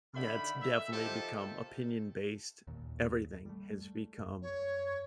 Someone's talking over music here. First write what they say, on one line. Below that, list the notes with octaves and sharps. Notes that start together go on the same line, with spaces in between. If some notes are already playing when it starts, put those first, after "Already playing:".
yeah, It's definitely become opinion based. Everything has become
D3 D#3 A3 E5 B5
E5
C3 D#3 F3 F4 G4 A4
D#2 A#2
G3 A3
F#2
C#5